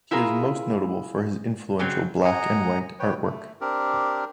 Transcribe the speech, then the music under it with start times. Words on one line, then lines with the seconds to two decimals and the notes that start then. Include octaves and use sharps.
He is most notable for his influential black-and-white artwork.
0.11 E4 F4 G#4 A#4
1.79 C#3 F#3 C4
2.25 D#5 F#5 G#5 A#5
2.99 B4 C#5 G5
3.22 A3
3.61 C4 D4 G4 A#4